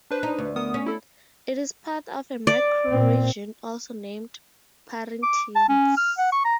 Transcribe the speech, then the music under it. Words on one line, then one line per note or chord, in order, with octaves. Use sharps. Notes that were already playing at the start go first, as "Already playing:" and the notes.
It is part of a microregion also named Parintins.
D4 B4 C5
D#4
D2
B3 A#4 D#6
C#4
E4 A4
D5
A#2 C4
D6
A5
C#4
F6
F#5
C#6
A#5